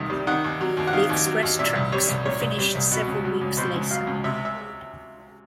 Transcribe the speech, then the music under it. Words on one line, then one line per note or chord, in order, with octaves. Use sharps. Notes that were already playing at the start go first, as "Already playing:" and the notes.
The express tracks were finished several weeks later.
Already playing: C2 C3 D#3
G3
D#3 F#5
D#2
F#3
D#2
F#5
D#3 F5
D#2
F#3
D#2
A#2 E5
C2
G3 C#5
C2
A#2 C#5
C2
G3
C2
B2
C#2
F#3
C#2
B2 C5
C#2
F#3 F5
C#2
C3 E5
E5